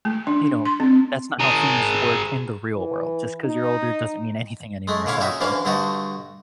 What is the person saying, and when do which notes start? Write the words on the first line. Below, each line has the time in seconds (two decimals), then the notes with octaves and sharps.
you know, that's not how things work in the real world. Just 'cause you're older doesn't mean anything anymore, sadly.
0.05 A3
0.27 D4
0.65 C6
0.80 C4
1.40 G#4 A#4
2.77 E3
3.44 D#4
4.88 G#3 A3
5.06 A#2 D3 E4 C#5 F5
5.20 C#4 D#4 F#4 E5
5.40 D2 D3 E3 C#4 F5
5.65 G2 D3 A3 D#4 F#4